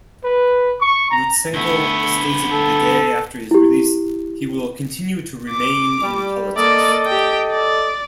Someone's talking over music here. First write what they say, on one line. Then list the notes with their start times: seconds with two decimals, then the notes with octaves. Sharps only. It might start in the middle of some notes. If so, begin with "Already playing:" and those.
Lutsenko stated the day after his release he will "continue to remain in politics".
0.23 B4
0.79 C#6
1.11 A#5
1.54 D2 A3 B3
2.52 A4
3.51 E4 G4
5.50 D6
6.02 G3
6.56 A#3 A4 D5 D#5
7.06 G4 G5
7.52 D5